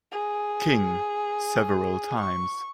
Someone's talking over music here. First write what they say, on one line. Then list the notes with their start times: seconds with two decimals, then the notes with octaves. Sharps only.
King several times.
0.12 G#4
2.19 C#6